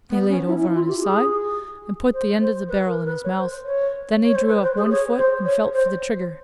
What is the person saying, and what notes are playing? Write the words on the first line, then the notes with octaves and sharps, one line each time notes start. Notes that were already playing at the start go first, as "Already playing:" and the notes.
He layed over on his side and put the end of the barrel in his mouth, then he drew up one foot and felt for the trigger.
B3
C#4
E4
E4
F4
G4
G#4
C5
C5
B4
A#4
B4
C#5
C5
C#5
C#5
C5
B4
C5
G#4
C#5
C5
C#5
C5